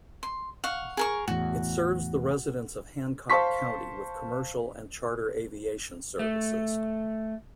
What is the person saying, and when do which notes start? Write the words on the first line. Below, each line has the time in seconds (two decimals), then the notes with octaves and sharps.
It serves the residents of Hancock County with commercial and charter aviation services.
0.23 C6
0.64 F5 F#5 C#6
0.97 G#4 A#4 C#6
1.28 E2 A2 F#4
3.30 C5 F5 A5 C6 C#6 B6
6.19 A3